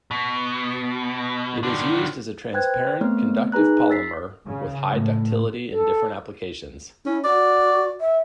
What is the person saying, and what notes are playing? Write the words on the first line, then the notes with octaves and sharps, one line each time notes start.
It is used as a transparent, conductive polymer with high ductility in different applications.
B2
D3 D#3
B4 C5 G5 F#6 G#6
A3 B3 C4 A#4 C#5 F6
D#4 G#4 B4 A#5 F#6
E6 A6 B6 C7
C#3
A2
A4
C#4 E4
F#4 D5
E5